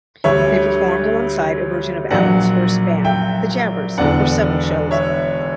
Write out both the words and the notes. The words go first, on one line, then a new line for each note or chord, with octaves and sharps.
They performed alongside a version of Allin's first band, The Jabbers, for several shows.
D2 D3 G3 C#5 E5
A#1 A#2 F#3 D5 F#5
E5 G5
E1 E2 D3 D5 F#5
C#5 E5